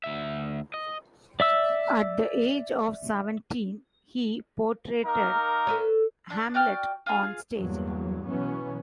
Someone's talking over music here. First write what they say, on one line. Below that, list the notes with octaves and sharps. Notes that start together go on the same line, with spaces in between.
At the age of seventeen, he portrayed Hamlet on stage.
D2 E5
D#5
D5 E5 E6
A#3 D#4 A#4
A4 B4 C#5
D4
F#4 D5 G5 F6
F4 G#4 F5
E2 G2 F#3 A#3
B2 E3 F#3 B3 C#4